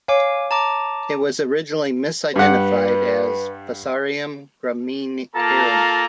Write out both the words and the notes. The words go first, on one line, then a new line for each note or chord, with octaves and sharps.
It was originally misidentified as "Fusarium graminearum".
C#5 F5 G#5 D6
A5 A#5 D6
G2 G3 G4 B4 F#5
A#3 F4 A4 A5 A#5